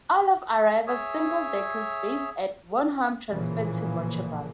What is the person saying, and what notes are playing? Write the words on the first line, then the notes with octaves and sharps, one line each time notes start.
All of Arriva's single deckers based at Warnham transferred to Metrobus.
G#4 C#5 E5
A1 A#2 C#3 E3 F3 A#3